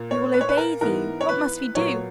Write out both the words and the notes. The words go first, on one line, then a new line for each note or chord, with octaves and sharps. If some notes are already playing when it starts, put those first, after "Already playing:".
We will obey thee, what must we do?
Already playing: A#2 A#3
C#5
B4
C#5
B4
A#4
G#2 E3 B3 A#4
C#5
B4
A#2 F#3 B3 C#5